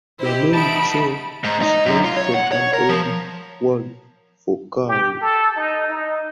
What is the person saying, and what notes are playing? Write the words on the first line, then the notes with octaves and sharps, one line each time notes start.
The name 'kyo' is derived from an old word for 'cow'.
E4 G4 C5 D#5
B3 D#4 E5 A5 B5 D7
G#2
D#4
F#2
F4
C#5
F#5
C#5
A#4
F3
G4
A4
D#4
D#4